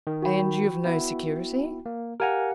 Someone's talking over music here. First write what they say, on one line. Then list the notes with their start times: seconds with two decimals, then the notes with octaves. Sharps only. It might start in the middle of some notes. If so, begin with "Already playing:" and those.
"And you've no security?"
0.07 D#3
0.22 F#4 G5 B5
0.85 B3 E4
1.86 A#3
2.20 G4 A#4 F5 F#5 G#5 A#5